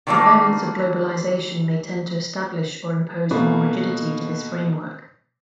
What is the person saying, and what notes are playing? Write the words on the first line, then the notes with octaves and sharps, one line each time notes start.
Proponents of Globalization may tend to establish or impose more rigidity to this framework.
D#3 E3 G3 A3 A#3
B2 A3 A#3